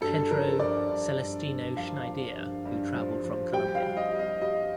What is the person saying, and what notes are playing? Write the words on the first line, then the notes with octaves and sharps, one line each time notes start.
Pedro Celestino Schniedier who traveled from Colombia.
G2 A4
F3 A#4
G2 D5
G2
G2
G2
F3 F5
F3
G2
G2
F3
F3
G3 G5
F5
G3
D#5
G3
D#5
G3 D#5